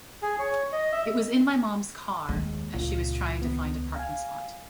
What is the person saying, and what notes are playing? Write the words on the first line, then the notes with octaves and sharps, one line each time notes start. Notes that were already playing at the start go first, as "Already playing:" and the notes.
I was in my mom’s car as she was trying find a parking spot.
G#4
C#5
D#5
E5
D#2 G#3
C#2 A#2 F4
D#2 B3
F5 G#5